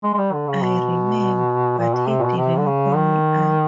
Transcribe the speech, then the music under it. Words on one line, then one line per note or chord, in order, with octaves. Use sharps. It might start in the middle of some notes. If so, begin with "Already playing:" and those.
I remember — but he didn't call me up.
G#3
G#3
G3
D3
C#3
B2
A#2
B2
C3
A#2
B2
C3
D3
C#3
D#3